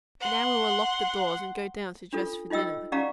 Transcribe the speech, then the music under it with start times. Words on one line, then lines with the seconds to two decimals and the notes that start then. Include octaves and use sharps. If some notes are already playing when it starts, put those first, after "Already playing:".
And now we will lock the doors and go down to dress for dinner.
0.20 F#5 C6
2.13 D4 F4 A4
2.50 D#4 F4 D#5 G5 E6
2.92 C#4 G4 D5 F5 F#5 A#5